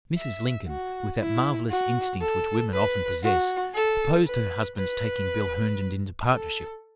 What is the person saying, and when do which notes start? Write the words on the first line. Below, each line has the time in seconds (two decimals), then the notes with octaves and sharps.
Mrs. Lincoln, with that marvelous instinct which women often possess, opposed her husband's taking Bill Herndon into partnership.
0.17 E5
0.68 F#4
1.19 E4
1.70 F#4
2.21 A4
2.73 B4
3.23 F#4
3.75 A4
4.27 B4
4.77 B4
6.32 A4